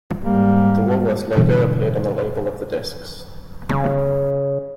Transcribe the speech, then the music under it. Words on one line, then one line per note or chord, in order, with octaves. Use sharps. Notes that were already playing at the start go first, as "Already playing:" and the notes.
The Woolworth's logo appeared on the label of the discs.
G#2 G3 A#3
G2 B2 D3 E3
C#3